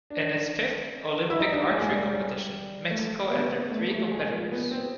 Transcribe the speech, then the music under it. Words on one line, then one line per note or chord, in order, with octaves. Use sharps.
In its fifth Olympic archery competition, Mexico entered three competitors.
D4
E4
D#4
D4
G#3
G#3
G3
A3
B3
C4
B3
A3
A3
G#3
F3
B3
C4